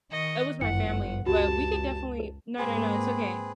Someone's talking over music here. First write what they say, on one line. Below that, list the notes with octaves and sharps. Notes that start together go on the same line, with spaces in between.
It was my family, but we could definitely No, no, no, it's okay.
D#3 D#5 C#6
G1 F#2 F#5 C#7
C#2 F#4 G4 A5
G#2 A#3 C4 G#4 B4